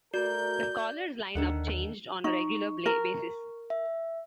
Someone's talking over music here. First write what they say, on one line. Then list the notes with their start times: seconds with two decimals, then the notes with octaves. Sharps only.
The Scholars' lineup changed on a regular basis.
0.14 A3 F#4 A#4 D5 G6
1.35 D#2 D3 D#3 F#5
2.24 D#4 C#6
2.86 A#4
3.70 E5